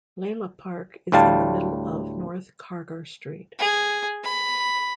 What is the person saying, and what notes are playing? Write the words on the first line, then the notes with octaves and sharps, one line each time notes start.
Laleh Park is in the middle of North Kargar street.
D2 A2 G3 F5 A5
G#4
B5